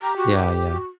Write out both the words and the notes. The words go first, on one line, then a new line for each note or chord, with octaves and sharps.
Yeah, yeah.
G4 A#5
F#4
B4
F#4